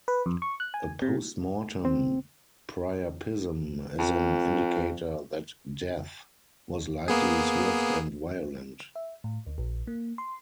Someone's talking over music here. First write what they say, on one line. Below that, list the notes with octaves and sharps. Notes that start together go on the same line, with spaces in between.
A postmortem priapism is an indicator that death was likely swift and violent.
B4
F2
C#6
F#6
G#5
C3
C4
F2
A#3 B3 G#4
E5
A2
D2
A#1
A#3
C6